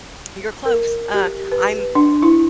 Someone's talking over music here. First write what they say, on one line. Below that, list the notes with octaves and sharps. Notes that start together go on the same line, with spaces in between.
You're close. Uh, I'm
A#4
G4
B4
D4
E4